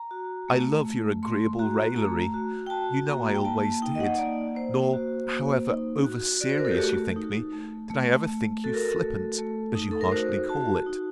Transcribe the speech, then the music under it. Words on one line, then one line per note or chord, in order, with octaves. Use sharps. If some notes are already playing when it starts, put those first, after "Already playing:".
I love your agreeable raillery: you know I always did: nor, however over-serious you think me, did I ever think you flippant, as you harshly call it.
Already playing: A#5
F#4
A3
A3
A3 C6
F#4 A#5
A3 A#5
F#4
G5
F#4 A5
A#3 A#5
G5
A#3 A5
A5
D#4 G5
D#5
F#5
A#3 D5
A#3 C5
F#4
A#3
D#4
F#4
F#4 D5
C5
A#4
A4
G4
A3 F#4
D#4
A3
A3
A3
F#4 A4
A#4
A4
A3
A3
D#4
A4
A#4
F#4 C5
F#4 A5
D#4